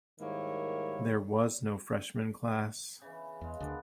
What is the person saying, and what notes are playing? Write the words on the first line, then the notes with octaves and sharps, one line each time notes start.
There was no freshman class.
G#2 D#3 G3 A#3 E4 C#5
C#3 E3
E2 G#3 F5
D2 D3 B3 D4 A#4